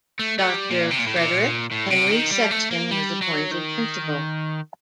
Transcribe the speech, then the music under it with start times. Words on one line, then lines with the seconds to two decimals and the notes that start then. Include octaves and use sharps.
Doctor Frederick Henry Sexton was appointed Principal.
0.19 A3
0.38 A3
0.49 G3
0.70 A#2
0.90 C3
0.99 A#2
1.07 A2
1.16 A#2
1.71 A2
1.90 C3
2.11 D#3
2.31 G3
2.51 A3
2.71 A#3
2.91 G3
3.22 F#3
3.51 D#3